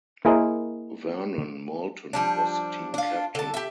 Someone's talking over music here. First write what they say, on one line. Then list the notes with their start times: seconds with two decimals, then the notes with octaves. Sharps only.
Vernon Moulton was the team captain.
0.25 A#3 E4 G#4 A#4 C5 D#5
2.13 F3 G3 D4
2.94 D4 F4
3.35 D3 A5
3.54 G4 E5